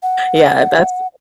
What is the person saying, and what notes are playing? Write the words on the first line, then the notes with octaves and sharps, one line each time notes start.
yeah, that's
F#5